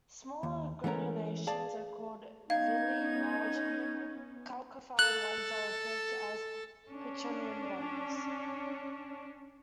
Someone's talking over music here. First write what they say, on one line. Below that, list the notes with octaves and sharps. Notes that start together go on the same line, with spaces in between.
Smaller granulations are called "villi", large calcified ones are referred to as pacchionian bodies.
D#2
E3 G#3 A3 C#4 A#4
G#4 D5 F5 A5
B3 C#4 D#4 F5 G#6
A4 F#6
C#4 D4